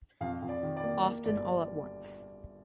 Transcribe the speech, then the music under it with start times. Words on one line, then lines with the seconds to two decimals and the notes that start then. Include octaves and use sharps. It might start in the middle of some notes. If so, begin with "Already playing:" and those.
Often all at once.
0.21 F2 F5
0.42 F2
0.49 D5
0.63 D#3
0.77 D5
0.84 A#3
1.04 A#3
1.25 G1 D5